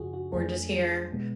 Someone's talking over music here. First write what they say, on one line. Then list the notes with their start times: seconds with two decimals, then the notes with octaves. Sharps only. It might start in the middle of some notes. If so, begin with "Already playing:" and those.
We're just here."
Already playing: F#2 C#3 F3 D4 F#4 G#4
0.13 F#4
0.33 F2 F3 A3 D4 G#4
1.13 B2 G#3 B3